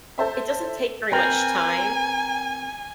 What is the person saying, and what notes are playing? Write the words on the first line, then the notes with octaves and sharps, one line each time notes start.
it doesn't take very much time,
A4 C5 E5
C4 A#4 B4 G5 G#5